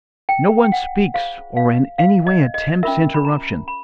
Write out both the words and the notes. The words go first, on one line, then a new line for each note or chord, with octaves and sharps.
No one speaks, or in any way attempts interruption.
G5
G5
F#5
F4 G#4 C5 F5
F5
F5
D#5
D#5
C#4 F4 A#4 E5
B5
A#5
B5